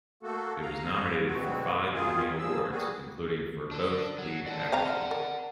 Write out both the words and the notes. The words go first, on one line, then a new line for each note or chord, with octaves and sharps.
It was nominated for five Emmy Awards, including for both lead actresses.
A3 A#3 F#4 A4
F5 A#5
D2 B2 F#3 C4 F#4
F#2 D#3 F4 G#4
A#2 F3 G3 G#4 E6
G3 A#3 F#4 G#4
D4 A4
F#3
D5 F#5 A5
C4 F5 A#5
A#4